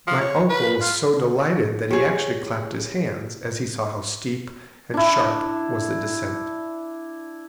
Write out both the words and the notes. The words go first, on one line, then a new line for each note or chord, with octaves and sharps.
My uncle was so delighted that he actually clapped his hands--as he saw how steep and sharp was the descent.
F3
C#5
B4
F4
G4 G#4 C#5
D4 E4